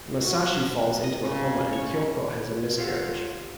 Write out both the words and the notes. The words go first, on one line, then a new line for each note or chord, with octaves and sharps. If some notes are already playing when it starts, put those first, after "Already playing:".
Masashi falls into a coma and Kyoko has a miscarriage.
F#4
D#5
C#3
C#5
F4 G4 A4 C#5 F5 F#5